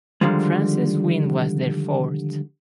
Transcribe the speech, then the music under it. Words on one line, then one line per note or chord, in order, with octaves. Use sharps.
France's win was their fourth.
D3 D#3 F3 G3 G#3